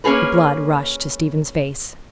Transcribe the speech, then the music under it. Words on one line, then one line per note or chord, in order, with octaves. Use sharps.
The blood rushed to Stephen's face.
A#3 C#4 G#4 A#4 B4